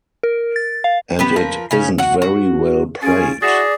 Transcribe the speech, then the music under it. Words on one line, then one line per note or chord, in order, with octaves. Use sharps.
And it isn't very well played.
A#4
A6
F5
B3 G4 B4
F3 A#4 B4
C#3 C#4
F#4 F#5
F#4
C#4 F4 G#4 A6 D7
E4 F#4 G#4 D5 A6 A#6 E7